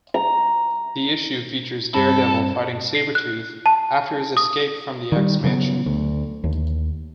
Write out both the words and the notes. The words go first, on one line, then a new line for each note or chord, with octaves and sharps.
The issue features Daredevil fighting Sabretooth after his escape from the X-Mansion.
A#5
G2 C4 A4 B5
C7
F#6
A5
D#6
D#3 G3
C#3 F#3 G3 B3
D2
D#2